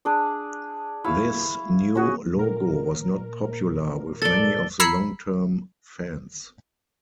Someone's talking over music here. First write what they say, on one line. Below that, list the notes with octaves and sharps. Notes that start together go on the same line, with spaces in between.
This new logo was not popular with many of the long-term fans.
D4 G#4 D5
E4 F5 C#6 E6
C#4 F#4 G#4
A#2 A#4
A4 D5 A6 G7
A#5 B5 E6 G#6 C7 C#7